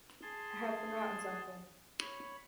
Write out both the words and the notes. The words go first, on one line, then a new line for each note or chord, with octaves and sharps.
I have forgotten something.
G#4 A5 C6
C#5 B5